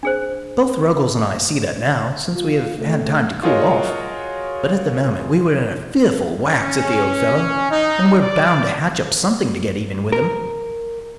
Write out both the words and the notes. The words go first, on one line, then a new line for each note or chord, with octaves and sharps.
Both Ruggles and I see that now, since we have had time to cool off, but at the moment we were in a fearful wax at the Old Fellow and were bound to hatch up something to get even with him.
D4 G#4 C5
F4
A3
F4 F#4 G#4 A#4 C#5 D#5
C#4
D#4
D5
A#4